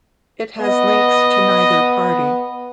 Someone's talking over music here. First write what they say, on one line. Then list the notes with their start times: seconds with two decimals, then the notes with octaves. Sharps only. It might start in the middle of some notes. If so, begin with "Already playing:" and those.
It has links to neither party.
0.61 B3 D#5